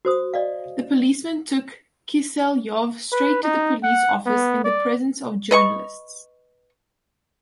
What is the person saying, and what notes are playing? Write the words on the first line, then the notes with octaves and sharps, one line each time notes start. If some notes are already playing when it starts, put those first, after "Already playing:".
The policemen took Kiselyov straight to the police office in the presence of journalists.
F#4 C5 D#6
D5 D#5 F5
B4
D#4
F#5
B3
D5
B4 D#5 C#6